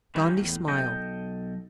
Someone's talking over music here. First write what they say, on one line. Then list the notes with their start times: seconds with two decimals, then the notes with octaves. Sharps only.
Gondy smiled.
0.15 D#3 E3 G3 A#3 C#4 D#4
0.37 E2 A2
0.68 B1 A4 D#5 G5